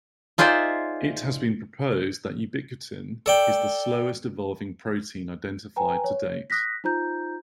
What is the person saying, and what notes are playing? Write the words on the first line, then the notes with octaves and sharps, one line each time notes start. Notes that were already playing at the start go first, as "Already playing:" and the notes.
It has been proposed that ubiquitin is the slowest-evolving protein identified to date.
D#4 F4 G#4 C5 D5 E5
A4 D5 G5
B4 G5 G#5 A#5
C#5
D#6 F#6 A#6 B6
D#4 F4 C5 A#5 G6